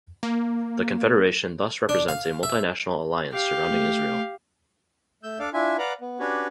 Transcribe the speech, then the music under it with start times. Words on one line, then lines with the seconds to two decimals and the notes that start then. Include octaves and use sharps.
The confederation thus represents a multinational alliance surrounding Israel.
0.23 A#3
1.89 D4
2.09 F5
2.43 E5
3.32 G4 F5
3.71 A3
5.23 A3 E6 G6
5.39 D4 A4 D5 F5
5.54 D4 E4 F4 E5 G#5
5.78 B4 D5 F5 F#5 A#5
6.01 B3
6.20 C#4 D4 F#4 G4 B4 C#5